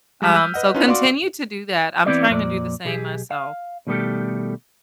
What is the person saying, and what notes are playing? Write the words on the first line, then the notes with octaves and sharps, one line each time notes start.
um, so continue to do that. I'm trying to do the same myself.
G3 G#3 A#5 D6 F#6 B6
E6 F6 G6 B6 D#7
B4 D#5 F#5
C#4 D#4 F4 B4
F#4 D5 F5 C6 D6
E3 G#3 B3 C4 E4 D5
F2 A#2 C5 D5
B1 G4 G#4
F5
B2 D#3 G3 A3 G4 A4